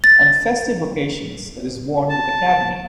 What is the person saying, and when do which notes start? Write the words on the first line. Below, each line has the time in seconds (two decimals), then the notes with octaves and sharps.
On festive occasions, it is worn with a kabney.
0.04 A6
2.09 A5